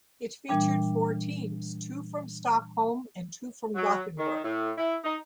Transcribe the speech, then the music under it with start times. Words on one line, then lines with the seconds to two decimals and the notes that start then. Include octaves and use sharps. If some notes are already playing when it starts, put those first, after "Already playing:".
It featured four teams, two from Stockholm and two from Gothenburg.
0.48 A#2 E3 G3 D4 G5
3.76 F#3
4.17 D#3
4.45 A2
4.78 E4
5.03 D#4